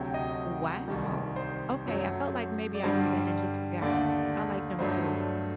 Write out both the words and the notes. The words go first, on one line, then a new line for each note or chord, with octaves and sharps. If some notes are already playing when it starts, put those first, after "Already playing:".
Wow. Okay, I felt like maybe I knew that and just forgot. I like him too.
Already playing: D2 C3 F#3 A3 G5
D#5
C2 C3 D#3 G3
C5
F#2 F#3 A3
D5
G2 D3 G3 C5
D#2 D3 A3 D5
G2 F#3 A3 C5